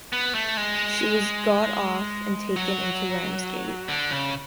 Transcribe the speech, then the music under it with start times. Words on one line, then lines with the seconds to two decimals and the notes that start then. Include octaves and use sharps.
She was got off and taken into Ramsgate.
0.13 B3
0.35 A3
0.57 G#3
2.56 F#3
3.88 D3
4.11 C#3